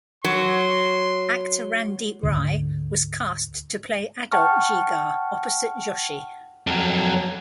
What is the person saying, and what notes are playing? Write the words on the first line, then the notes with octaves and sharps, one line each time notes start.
Actor Randeep Rai was cast to play adult Jigar opposite Joshi.
F#3 C6
D2 G#2 D3
F#5 G5 A5 C#6 F6
F2 F#3